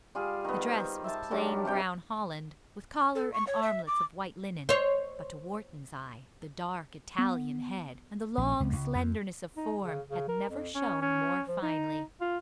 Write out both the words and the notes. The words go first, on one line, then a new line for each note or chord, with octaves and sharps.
The dress was plain brown holland, with collar and armlets of white linen; but, to Wharton's eye, the dark Italian head, and the long slenderness of form had never shown more finely.
G3 F4 G#4
D#3 B3
C5
E5 A5
D#3 F#3 G3 D4
C3 C#5 G5
A4
C#6
C#5
E5
D6
C5 C#5
B3
A#1
C#2
C#2
F2
D#4
C#3
C#3
A#4
F2
C#4
C#4
F3
D#4
F4